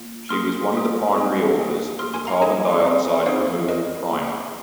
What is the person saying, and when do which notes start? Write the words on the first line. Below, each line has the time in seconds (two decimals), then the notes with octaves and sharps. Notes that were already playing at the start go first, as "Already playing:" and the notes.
She was one of the primary authors of the Carbon Dioxide Removal Primer.
Already playing: A#3 F4
0.29 A#3 G#4 C6 F6
0.72 A#3 F4 G#4
1.15 C4 D#4 G#4
1.57 A#3 G#4
1.99 A#3 G#4 C6 F6
2.14 G#5 C6
2.27 F5 A#5
2.42 A#3 D#4 G#4 D#5 G#5
2.85 C4 G#4
3.26 C4 D#4 G#4 C5 F5
3.69 C4 G#4 A#4 D#5
4.11 A#3 G#4